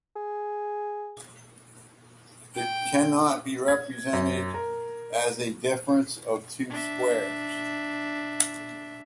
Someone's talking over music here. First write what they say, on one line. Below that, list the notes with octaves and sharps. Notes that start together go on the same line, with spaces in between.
It cannot be represented as a difference of two squares.
G#4
G5
G#6
F#2
A#4
D4 E5